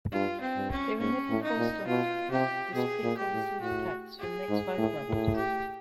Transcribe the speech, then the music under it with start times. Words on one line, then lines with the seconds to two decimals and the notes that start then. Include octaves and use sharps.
They were never forced off despite constant attacks for the next five months.
0.12 G2 F4
0.41 C4
0.56 G2
0.71 C#4
0.99 G#2 C#4
1.29 A2
1.43 D#4
1.58 A#2
1.87 B2 F4
2.30 C3 G4
2.74 B2 G#4
3.03 A#2
3.17 G4
3.32 A2
3.61 A2 F#4
4.19 G#4
4.49 G#2
4.78 A2
5.07 A2
5.36 G4